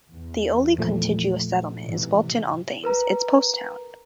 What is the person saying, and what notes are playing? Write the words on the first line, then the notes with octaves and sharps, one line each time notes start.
The only contiguous settlement is Walton-on-Thames, its post town.
E2
A#2 F3 A3
G#2 C3 E3
A#4 B4 A#5